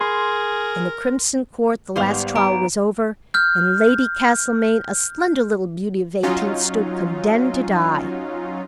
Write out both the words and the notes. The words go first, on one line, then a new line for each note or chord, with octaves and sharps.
In the crimson court the last trial was over, and Lady Castlemaine, a slender little beauty of eighteen stood condemned to die.
G#4 A#4 C6
G#1 G3 B3 C5 F5 C6 F7
B3 A#5 D7
F6 G6
F#3 C#4 D#4 F4